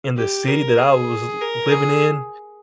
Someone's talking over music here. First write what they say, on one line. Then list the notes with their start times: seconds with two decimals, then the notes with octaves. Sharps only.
in the city that I was l living in,
0.17 G4
0.48 A#4
0.78 G#4
1.41 A#4
1.71 G#4